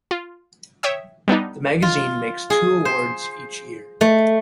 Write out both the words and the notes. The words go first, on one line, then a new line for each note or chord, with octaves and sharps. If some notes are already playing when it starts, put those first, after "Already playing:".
The magazine makes two awards each year.
F4
C#5 E5 G5 D#6
G3 B3 D4 D#4
F4
G#4
C5
A3